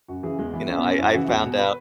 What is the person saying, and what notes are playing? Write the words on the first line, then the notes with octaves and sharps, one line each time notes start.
you know, I I found out
F#2 F#4
C#3 E3 G#4
E2 G#3
E3 B3
C#2 C#4
B3
B2 C#4
F#2 E4
C#3 E3 F#4
E2 F#4
B2
B4